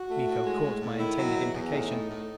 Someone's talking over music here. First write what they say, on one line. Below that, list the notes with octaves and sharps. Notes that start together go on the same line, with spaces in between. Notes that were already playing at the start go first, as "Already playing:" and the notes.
Miko caught my intended implication.
Already playing: F#4
A3
A2
G#3
A2
A2
D#3 E4
F#3
E2
E2
A2 D#4
A2
A2